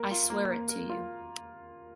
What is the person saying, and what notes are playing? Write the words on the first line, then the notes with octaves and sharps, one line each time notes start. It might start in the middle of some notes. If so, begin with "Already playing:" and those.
I swear it to you.
Already playing: A#3 A#4
F4
A#3
A#3
A#4
F4